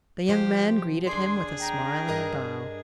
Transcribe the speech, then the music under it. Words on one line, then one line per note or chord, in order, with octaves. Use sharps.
The young man greeted him with a smile and a bow.
C3 F3 G4 C5
D#2 D4 G#4 D5 C6
G5 A#5
G2 A#4 D#5